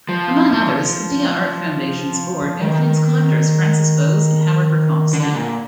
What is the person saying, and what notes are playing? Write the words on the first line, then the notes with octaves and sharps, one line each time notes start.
Among others, the Dia Art Foundation's board includes collectors Frances Bowes and Howard Rachofsky.
F3
D#3
D3
A#2